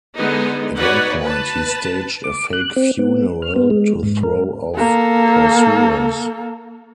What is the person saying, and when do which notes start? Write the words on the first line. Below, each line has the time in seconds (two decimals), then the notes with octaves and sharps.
At one point, he staged a fake funeral to throw off pursuers.
0.14 D3 G#3 B3 D#4
0.77 D#4 F#4 B4 C#5 D5 F#5
1.23 B4 A5
2.24 D6
2.53 F#6
2.76 C4
2.99 B3
3.42 F6
3.56 B3
3.70 G#3
4.03 G#2
4.23 A#4
4.77 A#3 A4